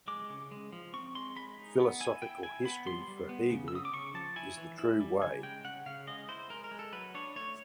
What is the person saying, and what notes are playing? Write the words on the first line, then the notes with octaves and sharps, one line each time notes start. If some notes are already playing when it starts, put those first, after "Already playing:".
Philosophical history for Hegel, is the true way.
G#3 D6
C#3
G#3
F3
C4 C#6
G#3 C6
G#3 B5
D#4
B3
E4 G#5
E4 G5
E4 G#5
B3 B5
G3 C6
G3
B3
C#3
E6
C#3 D#6
D6
C#3 C#6
F3 A5
E4 G#5
E3
E4
G3
C#3 G#5
G#3 G5
C#3 F#5
C#3 F5
G#3 D#5
E4 C5
G#3 A#4
A#4
G#3
A4
F#3 B4
D4 C#5
A3 C#5